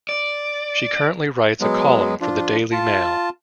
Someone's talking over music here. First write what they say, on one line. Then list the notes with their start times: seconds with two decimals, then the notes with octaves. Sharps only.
She currently writes a column for the "Daily Mail".
0.09 D5
1.61 F#3 G#3 B3
2.21 F3 D4 F4
2.72 F4 A5